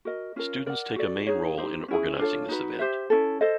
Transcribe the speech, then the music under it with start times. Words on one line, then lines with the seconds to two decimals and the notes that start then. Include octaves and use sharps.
Students take a main role in organizing this event.
0.05 F#4 A#4 D#5
0.36 C#4 F4 A#4
0.66 A#4 D5 F#5
0.96 F#4 A4 D5
1.26 D#4 G#4 C#5
1.57 D#4 G4 C5
1.88 C#4 E4 G#4
2.19 D4 F4 A4 C#5
2.48 D#4 F#4 B4
2.79 G4 C5 E5
3.10 C#4 E4 A4
3.41 A4 C5 D#5